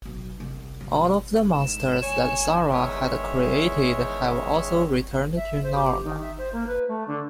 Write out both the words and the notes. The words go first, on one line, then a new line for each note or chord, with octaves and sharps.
All of the monsters that Sarah had created have also returned to normal.
B1
C2
B2 G3
E1 G#2 E7
D#1 C#2 C#5 G#5
E2 D#3 G#3 C#5 E5
E5
C5
G4
D#3
E5
C5
A#3
B4
A3
D3